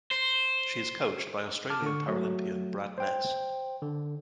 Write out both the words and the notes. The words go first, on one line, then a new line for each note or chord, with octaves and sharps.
She is coached by Australian Paralympian Brad Ness.
C5
A5 D6 F6
D3 C#6
F#3 A3
C5 G5
D3